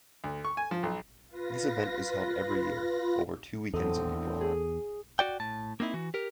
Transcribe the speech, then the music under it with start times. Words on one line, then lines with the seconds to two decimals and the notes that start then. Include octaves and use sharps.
This event is held every year, over two weekends in April.
0.24 D2
0.44 C#6
0.57 G#5
0.71 F3
0.83 B1
1.27 F4 B4 A#6
3.74 E2 A2 D3 C4 A4 D#5
4.41 G#4
5.19 F#4 D5 G5
5.40 A2 A5
5.80 A#3 C4 D#4 E4
5.94 E3 F#4
6.14 G4 A#4